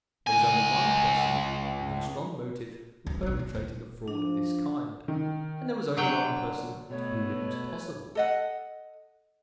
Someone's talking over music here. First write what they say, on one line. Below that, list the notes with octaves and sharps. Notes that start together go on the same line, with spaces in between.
There was only one person who had a strong motive for perpetrating a fraud of this kind, and there was only one person to whom it was possible.
C#2 G#5
D2 E3
B1 D4
G#3
D#1
F3 D4
D#3
D3 F#3 G5
B2 A3 B4 C#5
A4 D#5 F#5